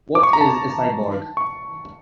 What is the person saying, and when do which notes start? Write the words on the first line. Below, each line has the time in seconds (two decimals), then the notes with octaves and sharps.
What is a cyborg?
0.15 D6
0.23 C#6
0.33 A#5
0.41 A5
1.37 C#6